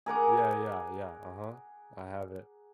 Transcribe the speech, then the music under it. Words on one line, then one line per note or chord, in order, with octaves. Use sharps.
Yeah, yeah, yeah, uh-huh. I have it
G#4 A#4 F#5 D6